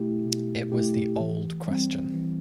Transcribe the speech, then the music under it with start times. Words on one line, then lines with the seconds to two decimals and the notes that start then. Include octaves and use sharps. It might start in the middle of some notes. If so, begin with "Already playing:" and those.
It was the old question.
Already playing: B2 A3 E4 G4
0.25 B2
0.72 A3 E4 G4
1.20 E3
1.68 G3 C4
2.14 E3